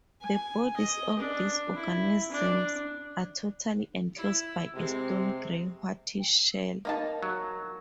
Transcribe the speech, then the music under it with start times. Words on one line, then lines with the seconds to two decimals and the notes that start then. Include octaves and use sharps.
The bodies of these organisms are totally enclosed by a stony gray-whitish shell.
0.22 G#5
0.77 D#5
1.19 D4
1.75 E4
2.32 D4
4.16 E4
4.75 C3 G#3 C4
6.85 A#3 D#4 A5
7.23 F#3